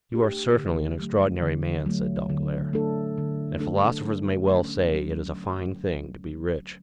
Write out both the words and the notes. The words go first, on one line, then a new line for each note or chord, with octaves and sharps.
"You are certainly an extraordinary man," said Danglars; "and philosophers may well say it is a fine thing to be rich."
A3 D4 G4
D3
F#3 A3
D3
F#3 A3
D3
A3 D4 A4
D3
A3 D4 A4
F#3
A3 C#4
F#3